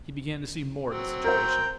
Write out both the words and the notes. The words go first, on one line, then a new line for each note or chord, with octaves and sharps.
He began to see more of the situation.
F#3 C4
A#4 C5 A#5 G6